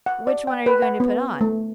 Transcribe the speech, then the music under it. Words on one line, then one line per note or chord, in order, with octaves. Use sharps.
"Which one are you going to put on?"
F#5
D5
G5
B4
F#5
B3
A3